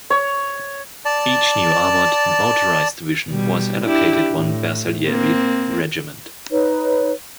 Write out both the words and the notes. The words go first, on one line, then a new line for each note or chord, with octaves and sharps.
Each new armoured and motorised division was allocated one Bersaglieri regiment.
C#5
D5 A5
B2 G3
D4 E4 G4
A2
A#3 C4
D#4 B4 C#5